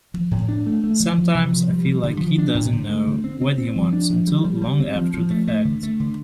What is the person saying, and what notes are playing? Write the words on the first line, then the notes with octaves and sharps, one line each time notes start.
Sometimes I feel like he doesn’t know what he wants until long after the fact.
F3
A2
D4
A3
A3
F3
F3
C3
F3
G3
G3
D3
F3
D4
A2
D3
A3
D3
C4
C4
C4
F3
D4
F3
G3
G3
G3
C4
F3
F3
A3
A3
D3
A3
D3